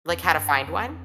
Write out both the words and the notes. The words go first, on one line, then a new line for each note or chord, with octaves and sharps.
Like, how to find one?
F2
F2
G2
F2